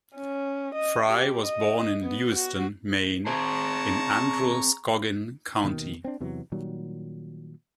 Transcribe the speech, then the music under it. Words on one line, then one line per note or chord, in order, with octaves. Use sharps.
Frye was born in Lewiston, Maine, in Androscoggin County.
C#4
D#5
G4
D#5
B3
F#4
C4 G#4 C5 A5 A#5 C#6
D#2 B2 D#3
C4 D4
E2 C3 E3 F#3
A#2 D#3 F#3 G3